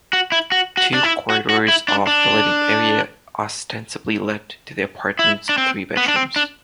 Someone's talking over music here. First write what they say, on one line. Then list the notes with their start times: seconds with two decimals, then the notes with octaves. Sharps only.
Two corridors off the living area ostensibly led to the apartment's three bedrooms.
0.13 F#4
0.32 E4
0.52 F#4
0.77 F#4
0.94 D4
1.04 E4
1.30 F#4
1.50 F#4
1.68 E4
1.88 D4
2.07 D4
5.19 E4
5.49 D4
5.58 C4
5.97 B3
6.08 D4
6.16 C4
6.36 D4